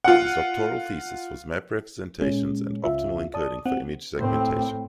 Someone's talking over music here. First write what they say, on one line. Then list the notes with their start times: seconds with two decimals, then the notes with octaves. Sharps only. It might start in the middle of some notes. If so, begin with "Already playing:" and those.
His doctoral thesis was "Map Representations and Optimal Encoding for Image Segmentation".
0.04 F4 F#5
2.22 A#2 G#3 C#4
2.83 C#2 F4 E5
3.34 D5 A5 D#6
3.66 C4 F#5
4.17 A2 C4